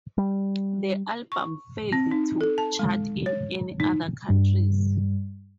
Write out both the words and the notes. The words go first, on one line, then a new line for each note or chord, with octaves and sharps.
The album failed to chart in any other countries.
G3
C#6
C4
D#4
A4
A5
G#3
C#5
D#4
G2 G3